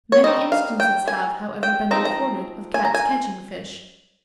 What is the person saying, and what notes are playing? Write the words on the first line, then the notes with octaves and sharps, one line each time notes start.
Many instances have, however, been recorded of Cats catching fish.
C#5
G3 C4 D#4 D#5
F5
G5
G#5
G5
F3 C4 D#4 A#5
A#5
G#5
A#5
G#5